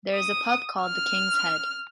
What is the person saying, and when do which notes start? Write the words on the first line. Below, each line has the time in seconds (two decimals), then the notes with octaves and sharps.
There is a pub called The King's Head.
0.15 D#6
0.82 F6